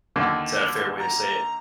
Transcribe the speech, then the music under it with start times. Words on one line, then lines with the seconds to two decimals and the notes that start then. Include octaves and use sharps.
Is that a fair way to say it?
0.16 D#2 D3
0.99 A#5